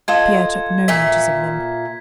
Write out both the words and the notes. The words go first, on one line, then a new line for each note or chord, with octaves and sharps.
Pierre took no notice of them.
F4 A4 D#5 G#6
A#2 E5 B6